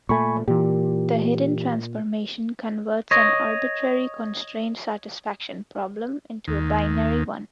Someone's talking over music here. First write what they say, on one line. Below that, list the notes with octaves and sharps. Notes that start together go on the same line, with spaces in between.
The hidden transformation converts an arbitrary constraint satisfaction problem into a binary one.
A#2 A3 G#5 B5 C#6
A#2 E3 G4
C#5 D#5
D#2